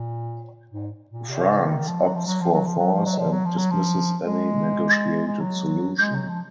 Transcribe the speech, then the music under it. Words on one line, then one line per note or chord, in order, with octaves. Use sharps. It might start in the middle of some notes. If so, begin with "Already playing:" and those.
France opts for force and dismisses any negotiated solution.
Already playing: A#2
G#2
A#2
C3
C#3
D#3
F3
F#3
F3
F#3
F3
F#3
F3
F#3
F3
F#3
F3
F#3
F3
F#3
F3
G#3
G#3
F#3
G#3
F#3
F3